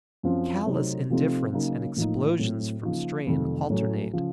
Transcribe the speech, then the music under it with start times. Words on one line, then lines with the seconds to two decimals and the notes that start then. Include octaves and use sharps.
Callous indifference and explosions from strain alternate.
0.23 F#2 F3 C4
0.66 C3 F#3 A3 C4 D#4
1.10 C3 F3 A3 C4 D#4
1.53 C#3 F#3 A#3 D#4
1.96 A2 F3 A#3 D#4
2.39 A2 F#3 C4
2.83 C#3 F3 A#3 D#4
3.27 F2 C3 D#3 F#3 A3
3.70 A2 F#3 A3 C#4
4.13 C#3 F3